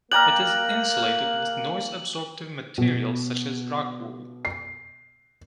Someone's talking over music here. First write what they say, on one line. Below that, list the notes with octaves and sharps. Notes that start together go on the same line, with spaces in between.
It is insulated with noise absorptive materials such as rock wool.
A#3 D5 G5 A#5 F6 F#6 F#7
B2
C7